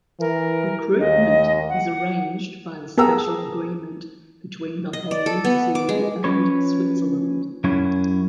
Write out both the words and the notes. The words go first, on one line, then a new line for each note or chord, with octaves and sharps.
Recruitment is arranged by a special agreement between the Holy See and Switzerland.
E3 A#4
D#2 D#5
F#5
B3 G#4 A#4 G5 A5 A#5 E6
D#5
D5
A4
B3
D6
G#3
F3 C#4 B4 C#5
F#2 F#3 C#4 E4 C#5